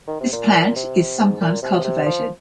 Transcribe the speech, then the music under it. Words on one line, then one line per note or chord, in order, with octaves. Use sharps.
This plant is sometimes cultivated.
D#3
C3
A#2
C3
G#2
A#2
C3
C3
F3